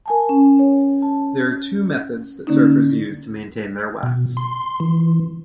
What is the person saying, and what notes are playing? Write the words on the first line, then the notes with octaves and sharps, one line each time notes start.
There are two methods that surfers use to maintain their wax.
A#4 G#5 A5
C#4
C#5
A5
D3 A#3 C#4 D#4
B2
C6
E3